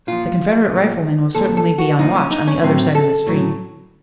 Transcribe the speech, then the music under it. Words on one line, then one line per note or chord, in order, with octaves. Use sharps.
"The Confederate riflemen will certainly be on watch on the other side of the stream."
A#2 F3 F4
A#2 F3
A#2 F3 A4
A4
F#4
A#2 F3 D#4
C#4
D#4
C#4
A2 F#3 C4
A4
A2 F#3